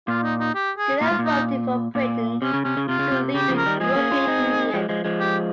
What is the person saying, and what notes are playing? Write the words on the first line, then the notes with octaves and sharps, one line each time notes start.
Skinner voted for Britain to leave the European Union.
A#2 F4
D#4
D#4
G4
G#4
A#2 F4
G#2
A#2
D#4
A#2
C3 C#4
C#3
C3 C#4
C#3
C3 F4
C#3
C3
C#3 G4
C#3 F3
A#4
D#3 G3
F3 G#3 G#4
A#3 C#4
C#4 F4
C4 D#4
F3 G#3
F3 G#3
F3 G#3
G4